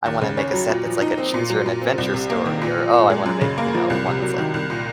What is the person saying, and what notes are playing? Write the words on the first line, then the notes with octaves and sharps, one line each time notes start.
I wanna make a set that's like a choose your own adventure story," or "Oh, I wanna make," you know, "one that's like,
D#2
C#3
C#4
F#3
A#2
F3
D#4
C4
A#2
F#3
A#2
C4
C2
C3
A#3
D#3
A#2
F3
A#2
G#3
F#2
C#3
A#3
F3
C2
C3
F#3
D#3
C2
A#2